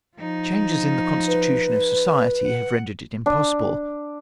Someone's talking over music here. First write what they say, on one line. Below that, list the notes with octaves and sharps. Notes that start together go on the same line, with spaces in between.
Changes in the constitution of society have rendered it impossible.
F3 D#4
B4
F#5
D4